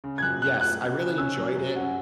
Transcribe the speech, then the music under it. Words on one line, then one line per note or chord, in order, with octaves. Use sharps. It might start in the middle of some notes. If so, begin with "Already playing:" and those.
Yes, I really enjoyed it.
C#3
G#6
F#2 F#6
F#3 F#6
A3 F#6
C#3
C#3
C#4 E6
F#3
F#2
C#4 F#5